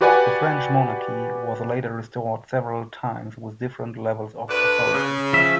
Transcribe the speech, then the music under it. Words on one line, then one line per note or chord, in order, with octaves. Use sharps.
The French monarchy was later restored several times with differing levels of authority.
F#4 G4 B4 D5 F#5 G#5
D2 D4 B4
C#3
F3 E5